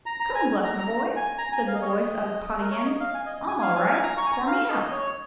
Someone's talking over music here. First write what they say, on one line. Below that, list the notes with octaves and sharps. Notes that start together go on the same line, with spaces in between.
"Come, Gluck, my boy," said the voice out of the pot again, "I'm all right; pour me out."
A#5
A#5
G#5
A#5
A#5
G#5
A#5
G#5
F5
D#5
C#5
D#5
A#4
C#5
D#5
F5
G#5
D#5
G#5
F5
G#5
F5
G#5
A#5
C#6
G#5
A#5
F5
D#5
D#5
C#5